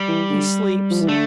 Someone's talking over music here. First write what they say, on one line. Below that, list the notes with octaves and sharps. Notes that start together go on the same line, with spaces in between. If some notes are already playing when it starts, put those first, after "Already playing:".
He sleeps.
Already playing: G3
E3
D3
F3
E3
D3 A3